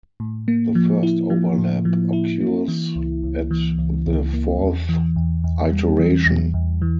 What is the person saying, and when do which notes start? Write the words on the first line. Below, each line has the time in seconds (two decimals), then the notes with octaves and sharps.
The first overlap occurs at the fourth iteration.
0.20 A2
0.48 A#3
0.75 F3
1.03 E4
1.30 F3
1.58 A2
1.85 F3
2.13 E4
2.41 A#3
2.68 E3
2.96 C#2
3.23 C#2
3.51 E3
3.78 C#2
4.06 C#2
4.33 A#3
4.61 E2
4.89 E3
5.16 E2
5.44 E2
5.71 G3
5.99 E3
6.27 E2
6.54 E2
6.82 E3